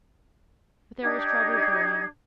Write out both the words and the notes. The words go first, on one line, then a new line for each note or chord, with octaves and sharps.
But there was trouble brewing.
D4 D#4 G4 G#6